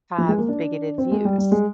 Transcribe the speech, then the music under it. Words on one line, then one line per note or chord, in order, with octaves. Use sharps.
have bigoted views,
F3
G#3
A#3
D4
C4
G#3
G3
G3
G#3